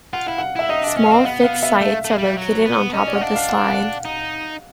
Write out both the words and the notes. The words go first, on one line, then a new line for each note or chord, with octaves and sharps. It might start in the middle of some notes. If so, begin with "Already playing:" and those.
Small fixed sights are located on top of the slide.
F4 F#5
E4 F5
F#5
E4 E5
D#4 D#5
D4 E5
C#4
F5
C4
B3 F#5
F5
E5
A3
A3
G#3
G3
F#3
B3
C#4 D#5
D5
F#5
D4 F5
F5
F#5
F5
F#5
D#4